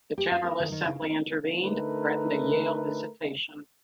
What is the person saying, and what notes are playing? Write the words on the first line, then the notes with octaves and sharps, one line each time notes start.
The General Assembly intervened, threatened a Yale "visitation".
G4
F5
A#4
D#3
D#3
C#3
A#4
D3 A3 D#4 A#4 B4